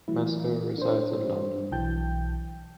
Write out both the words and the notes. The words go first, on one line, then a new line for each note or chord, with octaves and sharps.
Mescal resides in London.
E3 F#3 A3 E4
D4 C5
B1 E3 F#3 G5 A5 G6